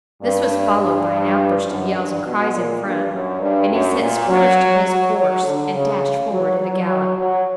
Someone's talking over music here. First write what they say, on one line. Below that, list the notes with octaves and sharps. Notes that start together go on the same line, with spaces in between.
This was followed by an outburst of yells and cries in front, and he set spurs to his horse and dashed forward at a gallop.
G2
G2
F#2
G2
B2
A#2
G2
F#2
G2
F#2
A#2
F#3
F#3
F#3
D3
C#3
F#3
F#3
F#3